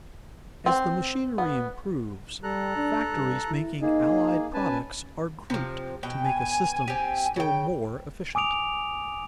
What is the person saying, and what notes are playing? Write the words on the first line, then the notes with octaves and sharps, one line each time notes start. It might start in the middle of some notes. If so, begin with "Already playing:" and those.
As the machinery improves, factories making allied products are grouped to make a system still more efficient.
C4
B3
G3 A4 A#5 F#6
D4
G2
E4
A#3 D#4 G#4
C#4 B4 G#5 A5
C3 F3
B2 G5
G#5
C4 G4
C#3 G5
G#5 D6 D#6 D7 F7